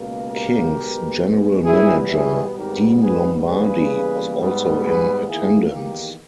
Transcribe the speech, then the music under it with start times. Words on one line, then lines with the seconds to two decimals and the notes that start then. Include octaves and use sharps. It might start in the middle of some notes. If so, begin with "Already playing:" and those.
Kings general manager Dean Lombardi was also in attendance.
Already playing: C#2 B2 A#3
0.28 G4 A#4
0.74 B1 B2 G#3
1.64 E2 B2 G3 B3 E4 G#4
2.10 E4 G#4
2.54 G#1 G#2 G3 B3 G4 A#4
3.00 G#4 B4
3.45 E2 C#3 G3 A#3 G#4 B4
4.36 G#2 G3 B3
4.81 G#4 B4
5.26 E2 D#3 A#3 E4 G#4
5.72 D#4 G4